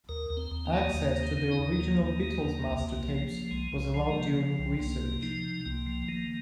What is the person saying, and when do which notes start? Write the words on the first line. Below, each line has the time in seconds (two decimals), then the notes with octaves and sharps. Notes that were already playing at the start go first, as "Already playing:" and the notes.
Access to the original Beatles master tapes was allowed during research.
0.09 D#2 A#4
0.30 D#2
0.37 C4
0.51 D#2
0.66 A#3
0.73 D#3
0.94 D#2 A#3
1.16 D#3
1.23 C4
1.37 D#3
1.52 D#4
1.59 D#2
1.80 D#3 A#3
2.02 D#2
2.23 D#3
2.44 D#2
2.66 C2
2.87 C2
3.09 F3
3.30 F3
3.51 C2 G#3
3.73 C2
3.80 G#3
3.94 F3
4.09 A#3
4.15 C3
4.37 F3
4.59 C2
4.79 C2 A#3
5.01 C3
5.23 F3 D#4
5.44 C3
5.66 C2 A#3
5.87 F3
6.08 D#3 A#3